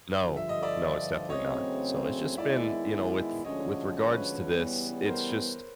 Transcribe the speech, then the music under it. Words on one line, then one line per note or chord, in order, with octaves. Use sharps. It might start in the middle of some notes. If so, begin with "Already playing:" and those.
No. No. It's definitely not. So it's just been you know, with with regards to this, it's just,
G2 D3 F3
E5
D#5
D5 E5
E2 C#3 F#3 A3 C4 C#5 D#5
D#3 G#3 B3 E4 D5 E5
D2 D3 F3 G#3 C#4 C#5 D#5
B4 C#5
C#3 E3 G3 B3
A#4 C5